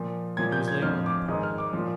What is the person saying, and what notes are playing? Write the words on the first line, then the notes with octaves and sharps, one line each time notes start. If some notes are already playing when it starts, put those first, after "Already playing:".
It was late when they parted.
Already playing: A#2 F3
A#2 F3 G#6
G6
G#6
F2 D3 F3 F6
D6
G#2 D#3 D#6
F6
D6
A#2 F3